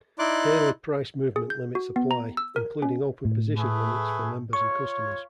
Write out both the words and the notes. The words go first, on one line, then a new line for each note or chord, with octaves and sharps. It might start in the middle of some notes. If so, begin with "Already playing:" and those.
Daily price movement limits apply, including open position limits for members and customers.
D#4 E4 D5 C6 D6 F#6
G#4
G6
F#4
B3
A#5
E6
A#4
C#4
A2
A3 G#4 B4
F4 C#5 C#6